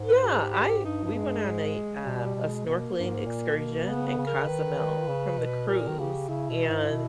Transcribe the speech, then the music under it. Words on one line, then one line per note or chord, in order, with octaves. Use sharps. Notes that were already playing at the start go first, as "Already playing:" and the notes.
Yeah, I we went on a, uh, a snorkeling excursion in Cozumel from the cruise, and
Already playing: G#2
B4
G4
G#4
G4
G4
G2 D#4
G2
G#3
G2
G#2
B2 G3
G3
B2
G#3
B2 A#3
G2
G#2
A#2
B2
C#3 B3
B3
C#3
A#4
D#3 B4
D#3
C#3
B2
A#2 A#4
D#3
C#3 G4
C#3 E4
B2
G#2
B2